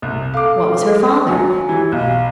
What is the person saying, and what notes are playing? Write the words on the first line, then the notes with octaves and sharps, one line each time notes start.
"What was her father?"
C2
A4 F5 D6
F#3 G#5
E3 G4
B1 F5